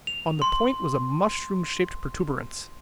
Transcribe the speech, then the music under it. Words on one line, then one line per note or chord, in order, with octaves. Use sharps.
On the point was a mushroom shaped protuberance.
F7
C6